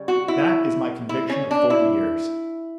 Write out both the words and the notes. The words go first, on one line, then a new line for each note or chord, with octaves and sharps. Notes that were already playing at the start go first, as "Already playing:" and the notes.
That is my conviction of forty years.
Already playing: C#3 G3
F#4
E4
E4
C#4
D4
E4